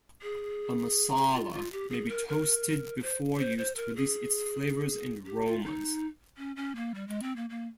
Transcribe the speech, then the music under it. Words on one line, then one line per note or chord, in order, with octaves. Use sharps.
A masala may be toasted before use to release its flavours and aromas.
G#4
F4
F4
G4
G#4
A#4
A#4
C5
C5
C5
A#4
G#4
G4
F4
D#4
C#4
C#4
A#3
G3
G#3
C4
A#3
A#3